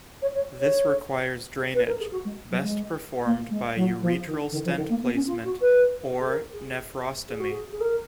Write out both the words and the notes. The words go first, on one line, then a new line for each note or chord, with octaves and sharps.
This requires drainage, best performed by ureteral stent placement or nephrostomy.
C#5
C#5
C#5
B4
A#4
G#4
F#4
G#3
F#3
G#3
A#3
G#3
F#3
F3
D#3
D#3
F3
D#3
A#3
B3
C#4
F4
F#4
B4
G#4
A#4
G#4
G#4
F#4
G#4
G#4
A#4